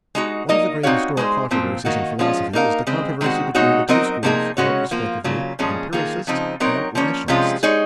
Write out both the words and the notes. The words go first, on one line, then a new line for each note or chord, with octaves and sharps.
One of the great historic controversies in philosophy is the controversy between the two schools called respectively 'empiricists' and 'rationalists'.
G#3 D#4 F#4
A#3 D#4 A#4 D#5
C4 D#4 F#4 C#5 F5
G#3 D#4 G#4 C5
A#2 F3 C4
D#3 A#3 D#4 F#4
F3 G#3 C#4 F4
A#3 D#4 A#4 F5
C#3 G#3 C4
D#3 G#3 C4 F#4
A#2 G#3 D#4 F#4 C#5
F#3 C4 D#4 A#4 D#5
C3 F3 A#3 D#4 G#4
C#3 G#3 C#4 F#4 C#5
F3 A#3 F4
C#3 F#3 A#3 F4
A#2 F3 G#3 C#4 G#4
D#3 A#3 F4 G#4
C#3 F3 C4 D#4
F#3 C4 D#4 A#4 C#5
F3 A#3 C#4
C3 F3 G#3 C#4 F4
G#3 D#4 G#4 C#5